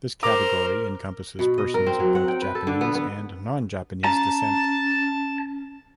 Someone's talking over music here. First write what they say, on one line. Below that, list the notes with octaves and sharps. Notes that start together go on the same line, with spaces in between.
This category encompasses persons of both Japanese and non-Japanese descent.
A#4 C5 A#5 D6
B2
D#5
A#4
C4
F#3
F#5
G5
B4
A4
D3
B3
B3
C#4 A5 A#5